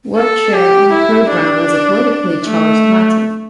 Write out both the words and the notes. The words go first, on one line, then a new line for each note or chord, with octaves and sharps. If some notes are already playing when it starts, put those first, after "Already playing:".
Workshare on the programme was a politically charged matter.
A4
G4
E4
D4
A3